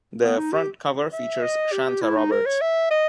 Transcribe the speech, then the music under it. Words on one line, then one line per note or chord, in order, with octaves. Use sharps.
The front cover features Shantha Roberts.
B3
D#4
G4
E5
D#5
G4
E4
D#4
A#4
C#5
E5
D#5